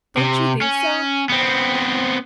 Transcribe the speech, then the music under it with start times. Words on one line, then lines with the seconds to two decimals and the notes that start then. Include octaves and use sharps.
Don't you think so?
0.17 C3
0.62 C#4
1.29 B3 C4